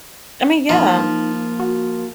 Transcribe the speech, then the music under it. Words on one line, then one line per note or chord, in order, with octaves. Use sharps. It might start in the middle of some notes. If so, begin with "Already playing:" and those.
I mean, yeah.
F3 A#3 D#4
F#4